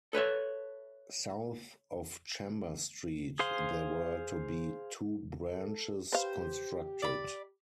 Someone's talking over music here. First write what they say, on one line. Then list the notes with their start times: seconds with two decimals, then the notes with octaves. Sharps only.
South of Chambers Street, there were to be two branches constructed.
0.13 A4 B4 C#5 E5
3.39 G#4 C5 F5 C6
5.42 A4
6.12 G4 B4 C5 F5
7.02 D5 B5